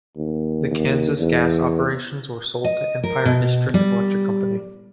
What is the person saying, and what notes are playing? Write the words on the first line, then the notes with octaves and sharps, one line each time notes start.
The Kansas gas operations were sold to Empire District Electric Company.
D#2
D#2
E2
D#5
A#4
B2
G3